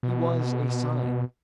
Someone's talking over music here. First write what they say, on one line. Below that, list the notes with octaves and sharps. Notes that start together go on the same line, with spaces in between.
He was a Sign.
B2